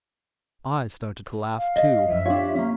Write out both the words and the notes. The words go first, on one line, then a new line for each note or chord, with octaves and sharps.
I started to laugh, too.
F5
D#5
F#2 F3 E5
D4 F4 G4 C#5
A#3 C#4